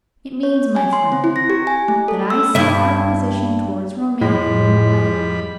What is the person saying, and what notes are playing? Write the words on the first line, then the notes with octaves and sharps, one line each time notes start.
It means, my friend, that I see our position toward Romayne in a new light.
C#5
G#5
C6
C4
E4
A#6
G4
G#5
A3
A4
E6
G2 E4
F2 A2 G3 G#3 B5